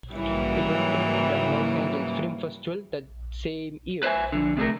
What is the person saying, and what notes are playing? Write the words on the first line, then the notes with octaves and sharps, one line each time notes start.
It was premiered at the Los Angeles Film Festival that same year.
G#2 C#3 E3 F#3 G3 A#3
B4 C5 E5 G#5
F2 D3
C3 G#3 A3 A#4